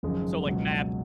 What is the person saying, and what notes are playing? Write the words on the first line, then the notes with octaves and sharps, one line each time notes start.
So, like, map
G#1 F#2 C#3 F3 G#3
C#2 B2 F#3